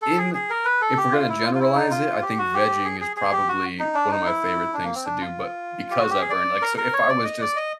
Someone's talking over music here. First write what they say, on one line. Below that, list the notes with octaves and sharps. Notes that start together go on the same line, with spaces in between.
in, if we're gonna generalize it, I think vegging is probably one of my favorite things to do, but because I've earned, like so if I was just
A4
G#4
G#4
A#4
B4
A4
G4
F4
E4
F4
F4
E4
D#4
F4
G4
F#4
G4
G#4
G#4
G#4
G4
F#4
D#4
D4
D#4
E4
D4
A#3
C4
D4
F4
G4
F#4
G4
G#4
D5
A#4
A#4
C#5
D5
D#5
D5
D#5